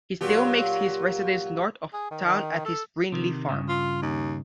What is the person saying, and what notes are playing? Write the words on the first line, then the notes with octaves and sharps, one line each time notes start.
He still makes his residence north of town at his Brindley Farm.
A#2 F#3 G4
G#4
D#3
D#3
A4
C3 D#3
G2 A#2 C#3
F4
D#2